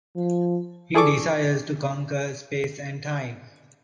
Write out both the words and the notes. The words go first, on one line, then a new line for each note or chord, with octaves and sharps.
He desires to conquer space and time.
F3
E3 G#4 A4 D5 C#6 D6